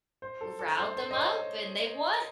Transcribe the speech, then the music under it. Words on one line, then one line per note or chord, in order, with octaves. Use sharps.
riled them up, and they won.
C5
A4
A4
C5
C5
D#5
C#5